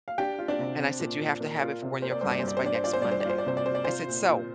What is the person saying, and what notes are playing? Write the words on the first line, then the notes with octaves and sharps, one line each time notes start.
and I said, "You have to have it for one of your clients by next Monday." I said, "So,
F5
D4 G4 G5
F4
D4 D5
C3
C4
A#2
A#2
A#3
F4
C3
A#3 C5
D5
G2 C5
D5
C5
G2 D5
C5
D4 D5
C5
F4 D5
C5
G2 D5
C5
D5
F4 C5
D5
C3 C5
D5
C3 C5
D5
F4 C5
A#2
A#2